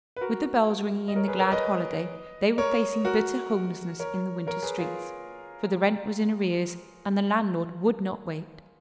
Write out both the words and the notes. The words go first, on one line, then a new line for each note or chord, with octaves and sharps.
With the bells ringing in the glad holiday, they were facing bitter homelessness in the winter streets, for the rent was in arrears and the landlord would not wait.
B4
F#4 A#4
D#5
A#4 C#5
G#4 B4
A#4 C#5
B4 D#5
A#4 C#5
F#4 A#4
A#4 C#5
A#4 C#5
G#4 B4
F4 G#4